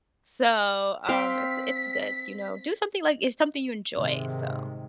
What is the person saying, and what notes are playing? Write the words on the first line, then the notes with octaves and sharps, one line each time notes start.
So, um, it's it's good, you know? Do something, like, it's something you enjoy, so
C4 F5 G5 B6
G#2 C3 D#3 G#3